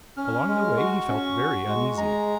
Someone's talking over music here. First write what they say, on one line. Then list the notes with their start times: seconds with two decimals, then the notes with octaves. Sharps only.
Along the way he felt very uneasy.
0.17 C#4 F6
0.48 G#3
0.77 F#4 C#6
1.08 C#4
1.38 F#4
1.68 G#3
1.97 G#3 A#5